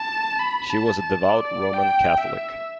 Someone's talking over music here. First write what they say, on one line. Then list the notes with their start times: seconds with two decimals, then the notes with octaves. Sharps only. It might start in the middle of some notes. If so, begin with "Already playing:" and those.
She was a devout Roman Catholic.
Already playing: A5
0.39 B5
0.70 A5
0.99 A5
1.29 D5
1.74 G5
2.18 E5